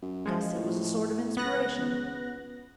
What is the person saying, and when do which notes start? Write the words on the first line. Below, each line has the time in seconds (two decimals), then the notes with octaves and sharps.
Guess it was a sort of inspiration.
0.02 F#2
0.26 F3 G#3
0.55 A2
1.37 C#2 B3 F#6 A#6